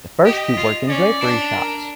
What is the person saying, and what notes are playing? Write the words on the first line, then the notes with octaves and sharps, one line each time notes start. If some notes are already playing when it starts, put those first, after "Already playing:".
The first two work in drapery shops.
G4 D#5
F4
C#4 D5
D4
A#4